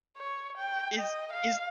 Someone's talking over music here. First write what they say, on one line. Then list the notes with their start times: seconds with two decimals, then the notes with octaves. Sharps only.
Is is
0.17 C#5
0.57 G5
0.99 D#5
1.33 F5